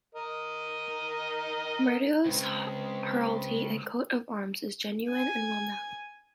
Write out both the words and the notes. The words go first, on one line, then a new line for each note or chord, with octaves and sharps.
Medeiros heraldry and coat of arms is genuine and well known.
A#4 D#5
C#2 C4
G#5